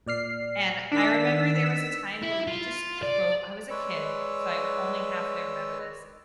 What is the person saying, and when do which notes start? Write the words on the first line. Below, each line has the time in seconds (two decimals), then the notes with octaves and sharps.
And I remember there was a time where we just dro I was a kid, so I only halfway remember this,
0.06 A#2 D5 F6 C7
0.92 D#3 D4 E6 B6
2.23 E4
2.47 F4
3.03 D5
3.70 G#3 B4 C#5 D5 E6